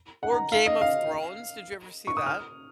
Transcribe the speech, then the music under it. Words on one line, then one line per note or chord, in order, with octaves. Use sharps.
Or Game of Thrones? Did you ever see that?
F#5
A#5
F5
D#5
F5
C#6
D#6
F6